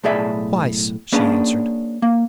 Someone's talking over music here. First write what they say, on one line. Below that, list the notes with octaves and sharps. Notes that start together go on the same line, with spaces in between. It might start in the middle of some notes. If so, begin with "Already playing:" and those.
"Twice," she answered.
B1 A2 G#4 D5 E5
A#3 C#4 D4 G#4 B4
A#3